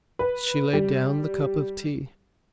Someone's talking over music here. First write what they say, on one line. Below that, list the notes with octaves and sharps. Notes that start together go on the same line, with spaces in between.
She laid down the cup of tea.
B4
G3